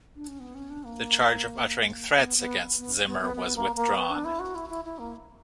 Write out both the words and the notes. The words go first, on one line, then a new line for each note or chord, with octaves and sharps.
The charge of uttering threats against Zimmer was withdrawn.
D4
C#4
B3
C#4
D4
A#3
B3
B3
B3
B3
B3
B3
A#3
A#3
B3
D4
E4
F#4
E4
E4
E4
A#3